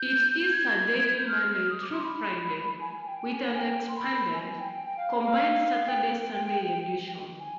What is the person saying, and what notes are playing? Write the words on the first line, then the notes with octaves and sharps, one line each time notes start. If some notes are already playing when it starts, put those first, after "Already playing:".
It is a daily Monday through Friday, with an expanded, combined Saturday-Sunday edition.
Already playing: G6
G#6
G#6
G6
F6
D#6
D6
C6
B5
G#5
G#5
G5
G#5
G5
C6
B5
G#5
G5
G5
F5
F5
G5
G#5